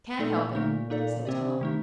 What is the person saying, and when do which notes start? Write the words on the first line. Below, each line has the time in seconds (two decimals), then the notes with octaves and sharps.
"Can't help it," said Tom.
0.19 A#2 A3 D#4 A4 D5
0.55 D3 A3 D#4
0.90 A#2 A#3 D#4 A4 D5
1.25 C3 C4 G4 D5
1.61 D#3 A3 D#4